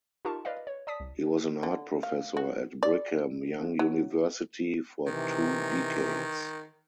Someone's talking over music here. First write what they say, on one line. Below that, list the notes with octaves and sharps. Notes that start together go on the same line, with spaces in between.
He was an art professor at Brigham Young University for two decades.
D#4 F4 G4 A#4 A5 C#6
B4 D5 D#5 F5
C#5
D5 A5 D#6 B6
C2
D3
F5
F#4
D5
F#3
C3 D#3 E3